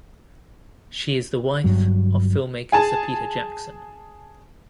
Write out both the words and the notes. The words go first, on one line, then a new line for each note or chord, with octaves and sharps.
She is the wife of filmmaker Sir Peter Jackson.
G1 G2 F#3
G#4 G#5 A5